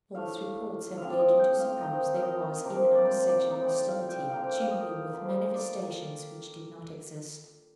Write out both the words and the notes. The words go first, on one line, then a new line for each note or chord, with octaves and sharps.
False reports have led you to suppose there was in our section hostility to you with manifestations which did not exist.
A2 A3 D4 F5
D3 F3 C4 F5
D5
D#5
G5
F5
D#3 A3 C4 D#4 D#5
F5
D#5
C3 F3 A#3 D4 D5
D5
C5
D5
A2 G3 C4 D#4
D5
F5
G5
D3 F3 A#3 F5
G5
F5
D#5
D3 F3 A#3
D5